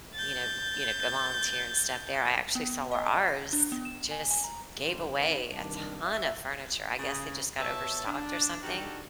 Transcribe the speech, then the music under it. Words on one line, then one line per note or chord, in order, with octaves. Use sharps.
You know, v you know, go volunteer and stuff there I actually saw where ours just gave away a ton of furniture. I guess they just got overstocked or something,
G6 A6
B3
D#5
A#6
D4
B3
E7
G#5
G#5
A#5
G1 F#2 D3 F3 G3 C5
D2 C3 D#4 B4
C2 G2 D#3 D4
E5
C#3 G#4
B2 C#5 E5 A5
D4
D#3 D4 F#4 G4 A4